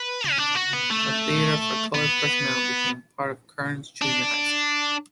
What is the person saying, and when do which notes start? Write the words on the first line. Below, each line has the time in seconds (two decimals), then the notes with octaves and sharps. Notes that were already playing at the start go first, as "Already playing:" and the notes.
A theater for "colored personnel" became part of Kearns Junior High School.
Already playing: B4
0.30 C#4
0.38 D4
0.55 F#4
0.73 B3
0.90 A3
1.95 B3
4.02 D4